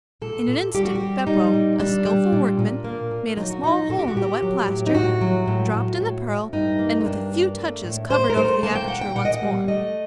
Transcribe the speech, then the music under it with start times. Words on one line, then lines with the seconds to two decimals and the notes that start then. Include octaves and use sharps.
In an instant Beppo, a skilful workman, made a small hole in the wet plaster, dropped in the pearl, and with a few touches covered over the aperture once more.
0.22 A#2 A4
0.48 A#2
0.74 G3 G4
0.85 F#4
0.95 G4
1.01 G3
1.27 G3 D#4
1.53 A#2
1.80 G3 D4
2.05 G3
2.32 A#2
2.59 A#2
2.84 A#3
3.11 A#2
3.37 F#3 D#4
3.50 F#4
3.63 A#2 D#4
3.90 A#2 A4
3.99 G4
4.08 F#4
4.16 A#2 G4
4.42 F#3
4.68 A2
4.87 D#4
4.95 A2 F#4
5.21 F#3
5.47 A2
5.74 A2
6.00 A2
6.27 A2
6.53 G2 D#4
6.79 A#3
7.01 D#4
7.05 G2 D4
7.32 A#3
7.58 A3
7.84 A2
8.10 A2 C5
8.30 A#4
8.36 A3 C5
8.63 A#3 A5
8.75 G5
8.88 A#2 F#5
9.01 G5
9.16 A#2 F#5
9.25 D#5
9.34 F#5
9.43 G3
9.68 A3 D#5